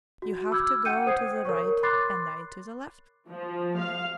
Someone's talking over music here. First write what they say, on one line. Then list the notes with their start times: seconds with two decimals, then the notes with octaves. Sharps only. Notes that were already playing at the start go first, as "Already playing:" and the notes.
You have to go to the right and I to the left.
0.22 F#4
0.51 B5 D6 E6 F6 G6 G#6
0.85 F#5 G5 G6 C#7 D#7
1.06 C5 D#6 G#6 C7
1.45 A#4 C#5 C#6
1.83 B5 C6 D6 F#6 A6 C7
3.28 F3
3.77 F5